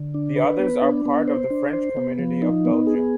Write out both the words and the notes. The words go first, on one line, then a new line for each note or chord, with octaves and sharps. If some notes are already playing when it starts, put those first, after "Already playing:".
The others are part of the French community of Belgium.
Already playing: D3
D4
B4
B3
D4
B3
C5
D4
C5
B3
F3
D#4
B3
G#4